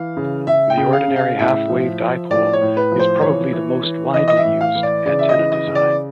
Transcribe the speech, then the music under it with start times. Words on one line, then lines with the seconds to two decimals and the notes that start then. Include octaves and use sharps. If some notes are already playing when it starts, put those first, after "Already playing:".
The ordinary half-wave dipole is probably the most widely used antenna design.
Already playing: E3 F5
0.17 C#3
0.47 C#3 E5
0.70 G5
0.77 C#3
0.93 F5
1.08 C#3
1.16 F5
1.38 A2 E5
1.69 F3
2.00 F3
2.30 A2 D5
2.53 C#5
2.61 A2
2.77 B4
2.92 F3
2.99 C5
3.22 E3 C#5
3.53 E3
3.83 E3
4.14 E3 D#5
4.28 D#5
4.37 E5
4.45 A2
4.61 F5
4.75 E3
4.83 D5
5.06 C#3 D5
5.19 E5
5.29 D#5
5.36 E3
5.52 D#5
5.67 C#3
5.75 D5